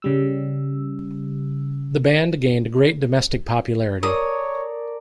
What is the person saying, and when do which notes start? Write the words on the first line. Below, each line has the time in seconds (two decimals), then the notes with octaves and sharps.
The band gained great domestic popularity.
0.02 C#3 G3 E6
4.03 A4 A#4 C#5 D5 A#5 D#6